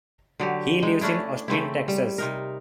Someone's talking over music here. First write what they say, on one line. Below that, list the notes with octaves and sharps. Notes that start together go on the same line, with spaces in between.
He lives in Austin, Texas.
D3 F#3 G4
G#3 D#4 G5
A3 C#4 D4 E4
C#3 A3 C4 E4
G3
C3 D#4 A#4